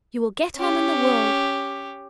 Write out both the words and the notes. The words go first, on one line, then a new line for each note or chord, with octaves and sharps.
You will get on in the world!
C#4 G4